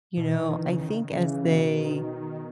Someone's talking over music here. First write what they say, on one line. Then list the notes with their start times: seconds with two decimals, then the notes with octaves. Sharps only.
you know? I think as they
0.17 B2 E3
0.33 D#3
0.49 D#3
0.65 C#3
0.81 D#3
1.13 C#3 E3
1.45 B2
1.77 D#3